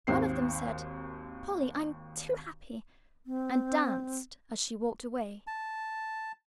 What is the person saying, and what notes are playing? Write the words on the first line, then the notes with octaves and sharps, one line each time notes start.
One of them said, "Polly, I'm too happy!" and danced as she walked away.
G#1 D#2 C4 C7
C4
A5